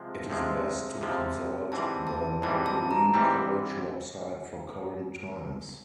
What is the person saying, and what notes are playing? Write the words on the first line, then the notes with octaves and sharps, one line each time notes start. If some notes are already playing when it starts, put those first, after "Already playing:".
It is best to consult the Magdalene College website for current times.
Already playing: C3 F3 G#3
C3 F3 G#3
C3 F3 G#3
G#2 E3 G3 C4 A5
A5
G#2 E3 G3 C4 A5
A5
A#5
G#2 E3 G3 C4 B5